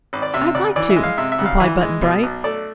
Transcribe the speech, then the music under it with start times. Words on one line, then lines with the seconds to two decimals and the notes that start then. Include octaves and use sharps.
"I'd like to," replied Button-Bright.
0.13 G#1
0.22 D5
0.34 C3 E5
0.55 D2 D5
0.76 E3 D5
0.90 E5
0.96 G#3
1.03 F5
1.18 C3 E5
1.32 E5
1.39 D2
1.46 F5
1.60 E3 E5
1.81 G#3
2.02 B2
2.23 B1
2.44 A3 D5